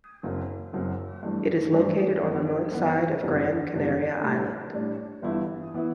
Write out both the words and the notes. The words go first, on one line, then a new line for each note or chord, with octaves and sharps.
It is located on the north side of Gran Canaria island.
F#1 F#2 F#3 C4
F#1 F#2 F#3 C4
G2 E3 A3 D4
G2 E3 A3 D4
F#2 E3 B3
F#2 E3 B3
F#1 E2 C3 G3 D4
F#1 E2 C3 G3 D4
A2 G3 D4
A2 G3 D4
G1 G2 E3 B3 E4
E3 B3 E4